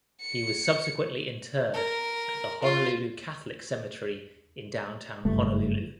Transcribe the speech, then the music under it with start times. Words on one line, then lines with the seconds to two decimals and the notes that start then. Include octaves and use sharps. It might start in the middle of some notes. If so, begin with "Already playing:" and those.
He was subsequently interred at the Honolulu Catholic Cemetery in downtown Honolulu.
0.21 C#7
1.73 A#4
2.63 F4
5.25 F#1 G2 A3